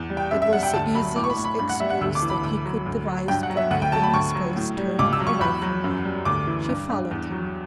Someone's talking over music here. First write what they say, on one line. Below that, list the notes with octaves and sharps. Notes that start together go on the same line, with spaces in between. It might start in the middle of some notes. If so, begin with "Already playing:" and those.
It was the easiest excuse that he could devise for keeping his face turned away from her. She followed him.
Already playing: E2
G3
G5
F#2 E5
E5
G3 F#5
G5
D2 A5
F#3 B5
A2 D6
C#6
B5
A2
B5
G2 B5
F#5
G3 E5
F#5
D2 E6
D6
E3
B5
D2
F#3
D2
F#3
G2 G5
F#5
F#3
E5
D2 F#5
G5
F#3 A5
B5
D2 C#6
F#3
A2
G3
C#2 D6
E6
F#3
C#6
E2 B5
F#3
F#2
G3
D2 D6
E3
G2
G2
E2
F#3